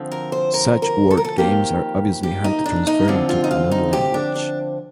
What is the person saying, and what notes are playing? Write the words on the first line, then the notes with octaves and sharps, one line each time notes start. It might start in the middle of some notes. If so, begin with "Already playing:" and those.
Such word games are obviously hard to transfer into another language.
Already playing: D3 F3 C4
A#4
C5
A#4
A#4
A4
A#4
A4
F2 D#3 A#3 G4
G4
D#4
D4
D#4
D3 F3 C4 F4
F4
D#4
F4
D#4
G4
D4
D4